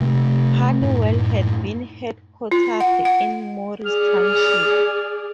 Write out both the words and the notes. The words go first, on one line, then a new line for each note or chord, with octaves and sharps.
Honeywell had been headquartered in Morris Township.
C3 A3
F#2 A2
F4
F#5
F#5
G#4 D5 F6